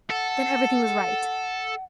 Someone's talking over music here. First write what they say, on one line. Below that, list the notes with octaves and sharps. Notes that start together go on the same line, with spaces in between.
Then everything was right.
A4 F#5